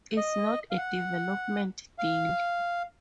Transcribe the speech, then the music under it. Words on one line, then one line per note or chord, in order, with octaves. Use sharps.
It's not a development deal.
D#5
F5
F#5
F5